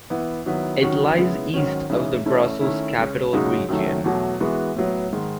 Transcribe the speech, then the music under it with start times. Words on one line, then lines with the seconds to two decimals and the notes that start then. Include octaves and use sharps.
It lies east of the Brussels-Capital Region.
0.10 E3 B3 E4
0.46 D#3 F#3 B3 E4
0.82 D#3 F#3 C#4 F#4
1.17 C#3 G#3 B3 E4
1.54 G#2 D#3 F#3 C#4
1.90 C#3 E3 G#3 D#4
2.25 E3 A3 C#4 E4
2.61 D#3 A3 C#4 E4
2.97 C#3 G#3 C#4
3.33 F#2 C#3 G#3 D#4 F#4
3.69 F#2 D#3 F#3 A3
4.04 E2 B2 F#3 A3
4.40 E3 G#3 B3 F#4
4.76 A2 F#3 B3
5.13 G#2 D#3 G#3